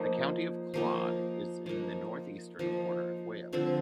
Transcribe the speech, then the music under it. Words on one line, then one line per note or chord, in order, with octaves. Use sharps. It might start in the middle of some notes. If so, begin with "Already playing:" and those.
The county of Clwyd is in the northeastern corner of Wales.
Already playing: F3 A#3 D#4
F3 A#3 D#4
F3 A#3 D#4
F3 A#3 D#4
D3 F3 C4